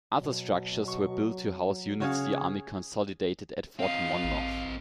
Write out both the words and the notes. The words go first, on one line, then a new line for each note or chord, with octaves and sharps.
Other structures were built to house units the Army consolidated at Fort Monmouth.
B2 F#3
C#6
C#3 C#4 F#4 G#4 C#5 F5
C4 D#5 F5
A1